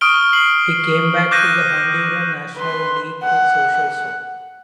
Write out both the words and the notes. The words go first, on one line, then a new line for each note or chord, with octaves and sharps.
He came back to the Honduran National League with Social Sol.
C#6 D#6 F6 D7 G7
C7 F#7
D6 F#6 G6 A#6 D#7
B4 C6
F#5